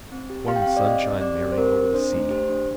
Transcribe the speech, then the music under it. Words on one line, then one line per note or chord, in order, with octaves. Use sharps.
Warm sunshine merrying over the sea.
C4
G4
G4 F5
G5
F5
C4
D5
C4 D#5
G4
C4 D5
G4
C5
C4 A#4
C4
D4 C5
A3
G4 C5
D4